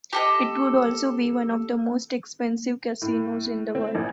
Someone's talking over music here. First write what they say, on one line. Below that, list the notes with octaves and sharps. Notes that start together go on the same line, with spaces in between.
It would also be one of the most expensive casinos in the world.
G4 A4 D#5
A2
C4
A#1